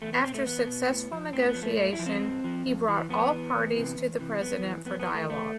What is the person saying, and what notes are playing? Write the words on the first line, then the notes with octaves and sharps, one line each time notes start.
After successful negotiation, he brought all parties to the President for dialogue.
E2 A3
B3
B2 C4
A3
E2 B3
B2
A2
F3
A2 C4
B3
F3
A3
G2 A3
E4
F3
C4
G2
F3
F2
E3
F2 B3
E3
E2
C3 E3
E2
C3 E3
F2 B3
E3
F2 B3
B3
E3
A3
E2 A3